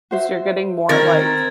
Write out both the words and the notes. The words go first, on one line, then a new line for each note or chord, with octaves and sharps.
'Cause you're getting more like,
F#4 C5 E5
D#3 C4 A#4 G#6 A6